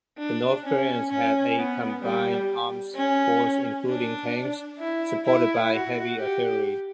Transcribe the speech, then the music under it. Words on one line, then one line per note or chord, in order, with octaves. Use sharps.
The North Koreans had a combined arms force including tanks supported by heavy artillery.
D4
C#4
C#4
B3
G3
C#4
D4
E4
E4
F#4
G4